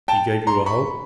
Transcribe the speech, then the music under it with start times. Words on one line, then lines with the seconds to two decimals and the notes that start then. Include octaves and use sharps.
"He gave you a hope?"
0.08 G5 A5
0.47 A#5 C6
0.66 B5 C#6